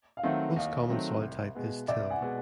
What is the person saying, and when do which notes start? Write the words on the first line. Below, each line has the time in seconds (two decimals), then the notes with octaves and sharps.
Most common soil type is till.
0.17 F5
0.23 D#3 F#3 A3 C4 E5 F#5
0.56 D#2 D#5 F5
0.90 D#3 F#3 A3 C4
1.22 C2
1.55 B2 G#3 B3
1.88 C2 D5 E5
2.10 F#5 G#5
2.21 B2 G#3 B3